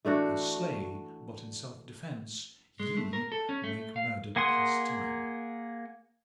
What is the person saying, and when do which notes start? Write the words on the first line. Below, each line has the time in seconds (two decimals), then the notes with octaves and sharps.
I slay but in self-defence--ye make murder pastime.'
0.05 E3 A3 D4 F#4
2.80 G#3
2.97 A3
3.13 A#4
3.32 A4
3.49 C#4
3.64 A3
3.96 F5
4.36 A#3 G#4 F#5 C6 D#6